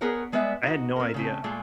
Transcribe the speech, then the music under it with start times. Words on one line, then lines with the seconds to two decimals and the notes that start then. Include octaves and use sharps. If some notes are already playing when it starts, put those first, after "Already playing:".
I had no idea.
0.01 B3 G#4 A#4 B4 C#5
0.32 G3 G#3 B3 B4 D#5 E5
0.63 D#4 F#4
0.96 C4 A#4
1.14 C#3 A3 C4
1.44 A#2 G#3 A3 F4